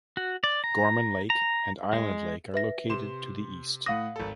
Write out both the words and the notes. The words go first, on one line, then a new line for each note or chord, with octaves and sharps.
Gorman Lake and Island Lake are located to the east.
F#4
D5
A#5
A#5
G#3
B4 E5 A#6
C3 C6 E7
A2 F5 F#5 D#6 A#6
G#1 A4